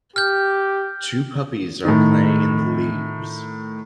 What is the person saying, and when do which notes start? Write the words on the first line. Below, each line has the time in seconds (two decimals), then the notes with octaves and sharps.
Two puppies are playing in the leaves.
0.16 G4 F6 G6
1.85 A2 D#3